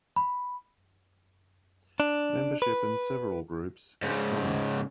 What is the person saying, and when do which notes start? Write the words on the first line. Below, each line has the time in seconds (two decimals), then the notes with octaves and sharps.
Membership in several groups is common.
0.16 B5
2.00 D4
2.62 B4
4.02 G#2 C#3